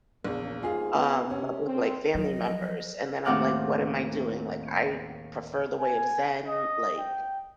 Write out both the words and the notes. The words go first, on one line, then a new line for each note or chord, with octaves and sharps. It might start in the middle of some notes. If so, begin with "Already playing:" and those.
um, but with, like, family members, and then I'm, like, what am I doing? Like, I prefer the way of Zen, like,
A#1 E2 C#3 A#3
D#2 G#2 F4 G#4 F5
B3
C3 C#4
C4
F3 F#3 D#5
D#2 A2 C4 F#5 D6 F6
G#5
D#5
G5